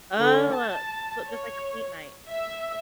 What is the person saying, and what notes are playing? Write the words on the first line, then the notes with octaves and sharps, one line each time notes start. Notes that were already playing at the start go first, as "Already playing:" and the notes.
Oh. So just, like, a paint night.
D3
A5
C#5
E5